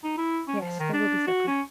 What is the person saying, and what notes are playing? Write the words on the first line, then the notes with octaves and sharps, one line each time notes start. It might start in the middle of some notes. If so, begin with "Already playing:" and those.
"Yes, there will be supper."
D#4
E4
C#4
F3
D#3
D4
F#4
C#4